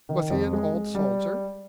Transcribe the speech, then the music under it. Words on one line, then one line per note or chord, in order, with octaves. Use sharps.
"Was he an old soldier?"
D#3
F2
G#3
G#3
G3